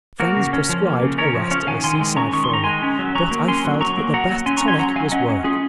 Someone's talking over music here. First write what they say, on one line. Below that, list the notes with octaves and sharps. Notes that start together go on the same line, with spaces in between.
Friends prescribed a rest at the seaside for me, but I felt that the best tonic was work.
A#3 F#4 A#4
C#3
C#4
F3
A#3
C#3
C#4 A#4 C#5
F3
C#4 C#5 F5
D#3 F5 G#5
D#3 G#5 C6
G#3
C#4 A#5 C#6
D#3 C#6
C6
D#3 A#5
G#3 G#5 C6
C#4
F#3
F#3 A#5 C#6
A#3
C#4 G#5 C6
F#3
F#3 A#5 C#6
A#3
F#3 F#5 A#5
F#3
C#4 G#5 C6
A#5 C#6
C#4
G#5 C6
F#3 F#5 A#5
F#3 F5 G#5
C#4 D#5 F#5
C#4
C#4 F4 G#4